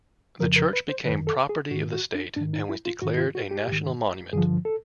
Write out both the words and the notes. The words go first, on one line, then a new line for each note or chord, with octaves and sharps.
The church became property of the state and was declared a national monument.
F2 C#3 F3 A#4
A#4
B4
C5
F#2 D#3 B4
A4
G#4
G#2 D#3 F#4
F#4
D4
G#2 D#3 D4
D#4
E4
F4
G#2 D#3 F#4
F4
F#4
G4
G#2 D#3
G2 D3 F3 G#4
A4